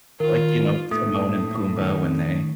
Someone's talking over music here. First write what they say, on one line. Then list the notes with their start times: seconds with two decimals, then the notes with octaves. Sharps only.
like, you know, Timon and Pumbaa when they
0.20 D#3 F4 A#4
0.91 A2 A3 A#3 D#4 D#6
1.79 D#3 D#4 C#5